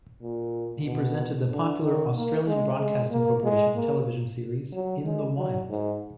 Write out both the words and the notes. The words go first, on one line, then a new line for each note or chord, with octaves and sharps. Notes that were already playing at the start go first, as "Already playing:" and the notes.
He presented the popular Australian Broadcasting Corporation television series "In the Wild".
A#2
B2
D3
D#3
A#3
G#3
G#3
A#3
G#3
A#3
F#3
G#3
F#3
G#2